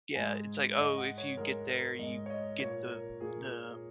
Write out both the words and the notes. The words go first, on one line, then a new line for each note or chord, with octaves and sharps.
Yeah, it's like, "Oh, if you get there, you get the the
G#2 G#3 G#5
G#2 G#3 D#5
F#5
C#5
G#2 G#3 A#4
A#4
G#2 G#3 D#5
C#5
D#5
A#2 A#3 C#5
A#4
A#2 A#3 G#4